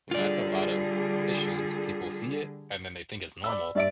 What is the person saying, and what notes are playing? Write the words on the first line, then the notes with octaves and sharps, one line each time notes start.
That's a lot of issues, people see it and then they think it's normal
D3 G3 F4 G#4 D5
D5 B5 E6
G2 D5 E5 D7